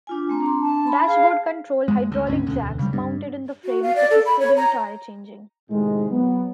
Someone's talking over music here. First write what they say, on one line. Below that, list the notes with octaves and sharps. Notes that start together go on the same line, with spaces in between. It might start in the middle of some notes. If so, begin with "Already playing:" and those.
Dashboard controlled hydraulic jacks mounted in the frame assisted in tire changing.
D4 F4 G#5
A3 C4 A#5
D4 C6
A5
B5
G#4 F5
F#2 G#3
D2
G#1 D2 C#4
E1 D2
C#3 G3
G2
F#4
F5
D5
A4
B5
C#5
A#5
A2 C3 D#3 G#3
F#3 B3